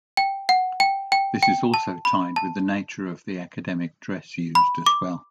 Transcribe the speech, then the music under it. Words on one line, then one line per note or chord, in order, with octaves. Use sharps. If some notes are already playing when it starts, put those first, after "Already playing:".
This is also tied with the nature of the academic dress used as well.
G5
F#5
G5
G5
G5
A5
B5
A5
B5
D6